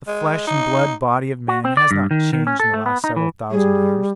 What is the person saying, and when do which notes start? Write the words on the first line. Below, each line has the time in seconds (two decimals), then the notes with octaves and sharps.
The flesh-and-blood body of man has not changed in the last several thousand years.
0.07 G#3
0.47 D#4
1.48 F#4
1.65 C4
1.77 D5
1.91 G2
2.11 D#3
2.33 D#3
2.47 C#4
2.60 A4
2.74 A3
2.86 B3
3.04 D#4
3.16 E3
3.51 G3 G#4